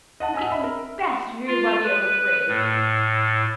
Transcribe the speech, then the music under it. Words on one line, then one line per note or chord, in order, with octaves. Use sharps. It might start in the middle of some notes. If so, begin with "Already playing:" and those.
You get the best view by the old bridge.'
D#5 F#5 A5
D#5 G#5 A5 E6 B6
E5 B5
A#4
F4
B4
A2